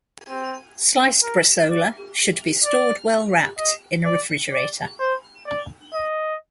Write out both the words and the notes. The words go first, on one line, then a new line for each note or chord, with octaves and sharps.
Sliced bresaola should be stored well wrapped in a refrigerator.
C4
A#4
D5
D5
D#5
D5
D5
C5
D5
D#5